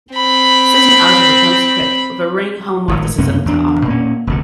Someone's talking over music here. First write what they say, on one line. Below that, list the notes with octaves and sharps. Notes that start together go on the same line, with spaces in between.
Such an algebra comes equipped with a ring homomorphism to "R".
C4 B5
G#1 A2 D#3
F#2 C3 A#3 C#4
E2 D4
A#2 A#3 C#4
F1 D2 D3